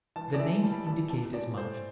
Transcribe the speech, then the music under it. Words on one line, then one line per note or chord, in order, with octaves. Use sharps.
The names indicate as much.
E3 A5
D5
E3 E5
G3 A5
E3 A5
C3 A5
C3 D5
A3 C5